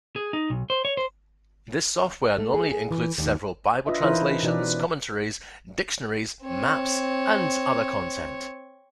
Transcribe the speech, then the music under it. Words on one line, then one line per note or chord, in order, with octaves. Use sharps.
This software normally includes several Bible translations, commentaries, dictionaries, maps and other content.
G#4
D#4
B1
C5
C#5
C5
A3
G#4
G#4
E3
D#2
D4 F4 B4 D#5 E5
E3 D#4 E4 A#4 C5
C#4
B2 E3 D#4 B4 D5
C4 C#5